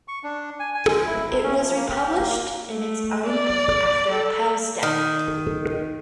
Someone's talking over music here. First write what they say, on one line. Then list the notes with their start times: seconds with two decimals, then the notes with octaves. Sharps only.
It was republished in its own book after Apel's death.
0.08 C#6
0.23 D4
0.60 G#5
0.74 G#5
0.88 G#3
1.06 E4
1.28 C3
1.43 C#4
1.60 F3
1.76 A#3
1.90 G4
2.16 A#3
2.68 A3
3.26 D5
4.12 A4
4.83 D#3